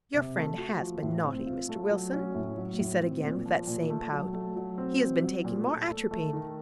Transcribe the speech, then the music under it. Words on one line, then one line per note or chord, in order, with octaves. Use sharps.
'Your friend has been naughty, Mr. Wilson,' she said again with that same pout: 'he has been taking more atropine.'
C3
A3
F#4
F3
A2
C4
F4
A3
F#3
C#4
A2
F#3
A2
C4
A#2
F3
A#2
A3
F#3
A3
F#3
C4
C4
F#3
A#2
A3
A4
A3
D#3